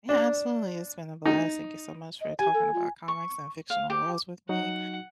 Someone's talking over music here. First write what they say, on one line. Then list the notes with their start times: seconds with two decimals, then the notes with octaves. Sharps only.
Yeah, absolutely, it's been a blast. Thank you so much for talking about comics and fictional worlds with me.
0.09 D4
1.25 D#4
2.21 D#5
2.39 G4 G#5
2.54 A4
2.74 F4
3.08 C#6
3.70 F5
3.90 G4
4.49 F#3 D#4 F#4 F#5